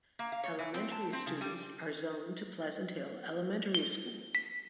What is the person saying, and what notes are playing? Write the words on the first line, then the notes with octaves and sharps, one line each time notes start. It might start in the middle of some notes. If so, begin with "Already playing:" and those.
Elementary students are zoned to Pleasant Hill Elementary School.
A#3
F5
C#5
E3
C4
A5
C4
C#3
G3
G7
B6